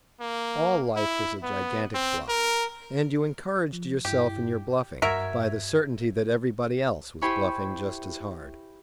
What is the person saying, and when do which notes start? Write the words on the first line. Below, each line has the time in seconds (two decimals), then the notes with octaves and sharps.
All life was a gigantic bluff, and you encouraged yourself in your bluffing by the certainty that everybody else was bluffing just as hard.
0.20 A#3
0.96 E4
1.43 B3
1.94 C4
2.28 A#4
3.73 F3
4.05 G2 E4 G4
5.02 G2 F#4 A#4 E5 G#6
7.22 E4 G4 C5 G#5 B5 C#6